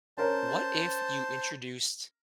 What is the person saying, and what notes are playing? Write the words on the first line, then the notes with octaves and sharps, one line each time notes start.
what if you introduced
C#4 A#4 C5 C#5 A5